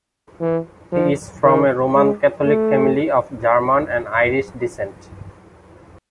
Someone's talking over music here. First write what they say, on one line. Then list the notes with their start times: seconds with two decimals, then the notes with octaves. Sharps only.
He is from a Roman Catholic family of German and Irish descent.
0.42 E3
0.92 F3
1.44 D#3
1.95 G#3
2.46 A3